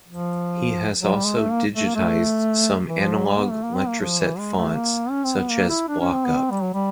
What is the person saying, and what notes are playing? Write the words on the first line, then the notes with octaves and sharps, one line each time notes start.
He has also digitised some analog Letraset fonts such as Block-Up.
F3
F#3
G3
G#3
A3
A#3
A3
A#3
A3
E3
F3
F#3
G3
B3
A3
A#3
C4
A#3
F3
E3
G#3
A3
A#3
C#4
C4
B3
A#3
E4
D4
C#4
C4
B3
C4
G3
F#3
G3